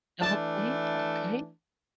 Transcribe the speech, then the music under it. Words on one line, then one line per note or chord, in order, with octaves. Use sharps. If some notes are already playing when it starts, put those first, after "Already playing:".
Okay, okay.
E3 A3 D4 A5